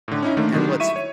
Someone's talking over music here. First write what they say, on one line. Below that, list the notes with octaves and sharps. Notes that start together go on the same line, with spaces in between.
And what's f
A2 D3
C#4 D#4 E4
D3 D#3 A3 A#3
D3 D#3 F#3 G3
E4 E5 C#6 D#7
C#5